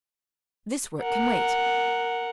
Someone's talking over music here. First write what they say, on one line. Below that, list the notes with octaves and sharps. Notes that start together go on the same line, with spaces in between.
'This work can wait.
A#4 F#5